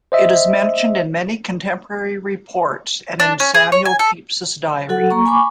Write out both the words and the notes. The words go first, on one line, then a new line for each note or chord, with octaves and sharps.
It is mentioned in many contemporary reports and in Samuel Pepys's diary.
C5 D#5 E5
D4
C#4
G#4
C#5
G#5
A4
F#3 F#4 A4 F#5
A#3 A#5 C#6
G#5 B5 C#6 D6